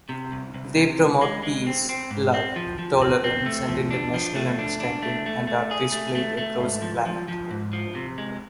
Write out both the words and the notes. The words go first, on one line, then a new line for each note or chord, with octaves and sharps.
They promote peace, love, tolerance and international understanding and are displayed across the planet.
C3
C2
C2
C3
C2
G#3
G#3
C4
C4
G#2
C4
F3
F3
C4
C4
A3
F3
D4
F3
A3
D4
D4
A3
A3
A3
G#4
A3
A3
A3
G#2
F3
F3
F3
G#2
F3
C3
G#3